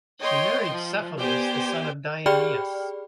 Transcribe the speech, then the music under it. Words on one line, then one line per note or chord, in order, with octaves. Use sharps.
She married Cephalus, the son of Deioneus.
C#5 D#5 G5 C6
F3
B3 G4 C5 D5 G5 G#5
G4 G#4 D5 G5 B5 F6